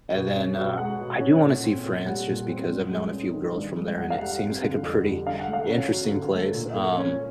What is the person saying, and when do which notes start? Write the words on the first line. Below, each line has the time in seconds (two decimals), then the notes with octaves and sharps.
And then, uh, I do want to see France just because I've known a few girls from there and it seems like a pretty interesting place, um,
0.15 B2
0.36 C#4
0.57 B2
0.78 G#3 F#5
1.00 B2
1.20 C#4
1.43 A#2
1.64 C4
1.85 A#2
2.06 G3 F#5
2.27 A#2
2.49 C4
2.70 G2
2.92 G#3
3.12 C#4
3.34 D#3
3.56 G2
3.76 G#3
3.98 F2 F#5
4.10 F5
4.20 G3 F#5
4.42 C4
4.62 D3
4.83 F2
5.05 G3
5.27 D3 F5
5.40 F#5
5.47 A3
5.53 F5
5.69 C#4
5.90 F#3
6.11 D3
6.34 A3
6.54 A#2
6.76 A#3
6.98 C#4